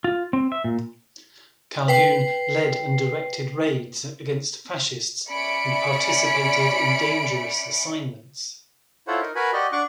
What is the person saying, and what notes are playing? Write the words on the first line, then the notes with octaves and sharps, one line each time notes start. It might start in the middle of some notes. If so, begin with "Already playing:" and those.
Calhoun led and directed raids against fascists and participated in dangerous assignments.
F4
C4
E5
A#2
B4 G5 C7
C#4 D5 E5 B5 C#7 D7
E4 F4 A4 C5 C#5 F#5
D#4 A#4
F#4 A#4 B4 G#5 B5
F#4 G4 D5 D#5
D4 F#5 C#6 D6